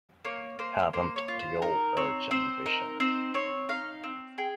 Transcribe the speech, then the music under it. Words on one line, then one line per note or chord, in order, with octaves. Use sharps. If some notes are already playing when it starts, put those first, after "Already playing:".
Haven't the old urge and ambition.
A#3 C#5
A#3 C5
A#3 C5
C#5
F4
C5
D#4 A#4
C4 C#5
C4 C5
D#4 A#4
C4 C5
C4 C#5
D#4 F5
C4
G#4 G5